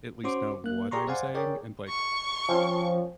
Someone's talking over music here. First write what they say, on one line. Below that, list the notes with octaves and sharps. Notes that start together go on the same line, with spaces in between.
at least know what I'm saying and like
C#4 F#4 C5 C6 D6
A#3 F#6
G4 G#4 D5 A#5 C6 C#6
C5 D5 F5 F#5 G#5 C6
G#4 A#4 C#5 D5 G5
C#6
F3 C4 C#4